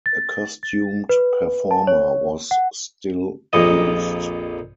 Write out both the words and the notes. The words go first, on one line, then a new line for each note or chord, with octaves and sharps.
A costumed performer was still used.
A6
A6
B4
A5
C#5
F#5
A#1 F2 A#2 D#5